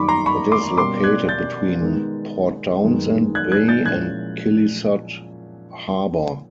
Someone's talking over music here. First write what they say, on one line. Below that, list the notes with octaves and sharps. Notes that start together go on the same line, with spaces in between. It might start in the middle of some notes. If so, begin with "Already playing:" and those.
It is located between Port Townsend Bay and Kilisut Harbor.
Already playing: F#2 D#3 G3 A#3 D#4 B5 C#6 D6
A#5 C6
B5 C#6
C6 D6
B2 G3 A#3 C#4 C6 D6
F#6 G#6
G6 A6
D#3 G#3 B3 D#4
F#2 D#3 G#3 B3 D#4
F#6 G#6
F#6 G#6
G6 A6
A#2 F3 G#3 C#4 E4 F#6 G#6